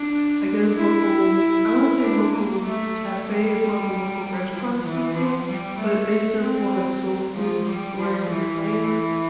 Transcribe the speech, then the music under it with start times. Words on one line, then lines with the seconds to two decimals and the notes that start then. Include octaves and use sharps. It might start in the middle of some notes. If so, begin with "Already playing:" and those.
I guess, local I wanna say local cafe. It's more like a local restaurant sorta deal, but they serve more, like, soul food where I am.
Already playing: D4
0.75 E4
2.00 D4
2.32 A#3
2.64 A3
3.26 G3
4.52 F3
4.84 E3
5.15 F3
5.46 G3
5.78 A3
6.41 C4
7.35 F3
7.66 G3
7.98 F3
8.30 E3